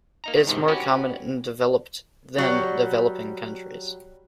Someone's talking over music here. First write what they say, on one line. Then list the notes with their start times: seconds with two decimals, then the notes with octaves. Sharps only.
It is more common in developed than developing countries.
0.24 A#3 D#4 A#5
0.36 D#3
0.47 G#2 C3 D#3
0.68 C#4 F#4 G4 B4
2.38 F#3 G3